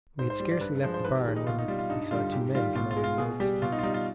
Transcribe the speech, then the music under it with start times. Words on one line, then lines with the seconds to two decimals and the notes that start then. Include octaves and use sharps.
We had scarcely left the barn when we saw two men come out of the woods.
0.19 G#2 C5
0.30 C5
0.40 G3
0.51 D5
0.61 G2 B4
0.83 F3 G#3 C5
0.94 C5
1.04 G#2 B4
1.15 G4
1.25 D#3 G#3 G4
1.36 D#4
1.47 B2 F4
1.58 D#4
1.68 G3 F4
1.79 F4
1.89 G2 D#4
2.11 D3 G3 F4
2.32 G#2 G4
2.55 D#3 G3 F4
2.75 B2 F4
2.91 F4
2.97 G#3
3.04 F4
3.18 B2 G#4
3.40 G3 G4
3.62 B2 F4
3.72 D#4
3.79 F4
3.83 G3 D#4
3.94 F4